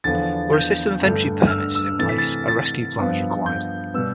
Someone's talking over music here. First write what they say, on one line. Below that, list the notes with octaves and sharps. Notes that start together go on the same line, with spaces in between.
Where a system of entry permits is in place, a rescue plan is required.
E2 D3 F3 B3 A6
G6
G2 D3 A3
F6
E6
E6
C3 E3 A3 A6
B6
A6
A6
G2 F3 B3
G6
B2 G3 B3 E6